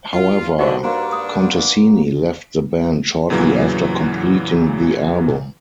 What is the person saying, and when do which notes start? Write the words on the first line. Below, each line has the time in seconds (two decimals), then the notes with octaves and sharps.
However, Contesini left the band shortly after completing the album.
0.13 F4
0.59 D3 D#4 F#4 G4 B4 C5
0.84 G2 A#3 D4 B4 C6
1.13 D#6
3.30 E2 A#2 C#3 E3 F#3